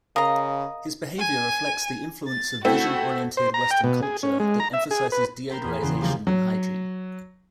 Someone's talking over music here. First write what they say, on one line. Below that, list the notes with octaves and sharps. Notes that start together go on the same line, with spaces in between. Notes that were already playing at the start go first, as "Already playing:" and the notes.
His behavior reflects the influence of vision-oriented Western culture that emphasizes deodorization and hygiene.
C#3 A#4 D#5 F5 A#5
G#5
A6
A3 C4 E4 F#4
C5
A#5
G5
B2
G#4
C#4
G#3
A#5
E5
G#4
B4
A#4 C5 G5 B5
E2 G#4 B5
E2 C#3 E3 C5 G5
C#3 F3 G3 G#3 A#3
F#3